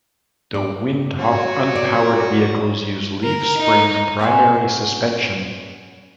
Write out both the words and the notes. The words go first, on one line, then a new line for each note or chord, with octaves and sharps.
The Windhoff unpowered vehicles use leaf spring primary suspension.
D5
F#4 C#5
D5
A#4
D#4
B3 C#4 G#4 C5